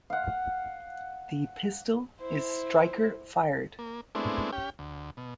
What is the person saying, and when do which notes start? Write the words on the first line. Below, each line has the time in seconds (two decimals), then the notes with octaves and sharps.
The pistol is striker fired.
0.10 F5 F#5
2.20 E4 C5
3.79 A#3
4.15 G#3 A3 B3 C4 D4 E4
4.53 C#4 G4 G5
4.79 D2
5.17 B2